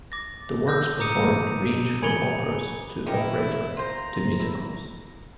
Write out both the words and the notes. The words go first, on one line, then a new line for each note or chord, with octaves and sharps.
The works performed range from operas to operettas to musicals.
D6 A6 A#6
D6 E6 G6 A#6
A#5 D6 D#6 C#7 D#7
G#5 B5 G#6 C#7 F7 G7
D#4 E4 G4 A#4
F4 C5 A#5
E4